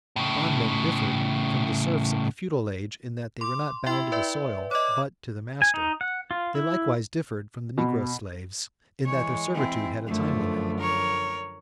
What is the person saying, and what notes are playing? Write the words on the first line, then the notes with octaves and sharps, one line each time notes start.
Bondmen differed from the serfs of the feudal age in that they were not bound to the soil but to the master. They likewise differed from the negro slaves in that their servitude had a time limit.
A2 C#3
C6 D6
E4 E5 G5 C6
B4 D5 E5
C#5 D#5 D6
G#5
D#4
F#5
F4
E4
B2
E3 G#3 C#5
C4 E4
F#2 D3 F3 A3
A#4 C#5